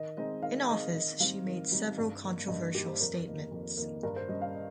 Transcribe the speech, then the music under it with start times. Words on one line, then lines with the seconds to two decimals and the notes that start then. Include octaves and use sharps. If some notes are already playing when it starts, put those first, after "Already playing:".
In office she made several controversial statements.
Already playing: D#3 D#5
0.17 G#3 C4 D#4 D#5
0.43 D#3 F5
0.69 G#3 C4 D#4 D#5
0.94 D#3 D#5
1.20 G3 C4 D#4 F5
1.46 D#3
1.71 G3 C4 D#4
1.98 G2
2.23 D#3 A#3
2.48 G2 D#5
2.74 D#3 A#3 G4
2.87 C5
3.00 F2 A#4
3.26 D#3 A#3
3.51 F2
3.77 D#3 A#3
4.03 G2 A#4
4.16 C5
4.29 G3 C#4 D#5
4.42 F5
4.55 D#5